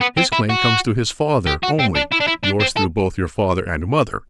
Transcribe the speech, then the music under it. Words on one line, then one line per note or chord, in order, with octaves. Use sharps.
His claim comes through his father only--yours through both your father and mother.
B3
C4
E4
F#4
G4
F#4
C4
D4
E4
D4
E4
D4
C4
A4